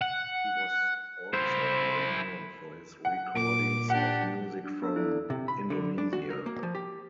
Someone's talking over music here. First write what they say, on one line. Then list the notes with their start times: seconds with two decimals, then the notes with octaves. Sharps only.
He was also well known for his recordings of music from Indonesia.
0.01 F#5
1.34 E4 C5
3.05 F#5
3.35 A#2 D6 D7
3.90 D4 G4 F#5
4.64 D4
4.82 B3 D4 F#4 A4 E6
4.96 E4 F#4 A4 D5
5.30 C3
5.48 B5
5.70 D3
5.98 D4
6.13 F#4
6.30 A#4
6.46 A#3
6.63 F3
6.75 G4